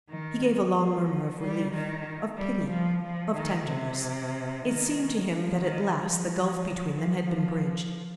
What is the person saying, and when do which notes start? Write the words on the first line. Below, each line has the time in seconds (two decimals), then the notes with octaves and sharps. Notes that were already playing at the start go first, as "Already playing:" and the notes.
He gave a long murmur of relief, of pity, of tenderness; it seemed to him that at last the gulf between them had been bridged.
0.09 D#3
0.75 F3
1.39 G3
1.73 D#3
2.38 G3
2.70 F3
3.03 F3
3.36 D#3
3.68 C3
4.66 D#3
5.31 F3
5.63 D#3
5.97 F3
6.94 F3